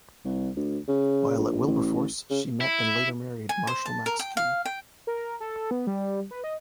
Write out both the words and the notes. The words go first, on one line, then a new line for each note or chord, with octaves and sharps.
While at Wilberforce she met and later married Marshall Maxeke.
C2
D2
C#3
A#1
A1
C#3
E4
G#5
C5
A5
A#4
G5
F5
G5
A#4
A4
B3
G3
B4
D#5